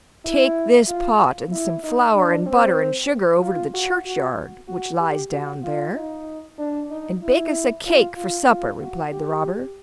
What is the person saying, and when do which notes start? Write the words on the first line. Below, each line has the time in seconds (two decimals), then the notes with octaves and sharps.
'Take this pot and some flour and butter and sugar over to the churchyard which lies down there, and bake us a cake for supper,' replied the robber.
0.25 E4
0.88 F4
1.52 E4
1.83 D#4
2.15 D4
2.46 C4
3.41 F4
3.74 F#4
4.05 F#4
4.68 F#4
5.00 G4
5.32 F#4
5.64 F4
5.95 D#4
6.58 D4
6.91 D#4
7.23 E4
7.86 F4
8.17 F4
8.49 F4
8.81 F#4
9.12 G4